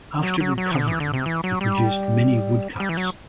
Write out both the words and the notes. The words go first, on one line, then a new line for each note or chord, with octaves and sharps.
After recovering, he produced many woodcuts.
F#3
F#3
F#3
E3
D3
E3
D3
C3
E3
F#3
G3
G3
E3
F#3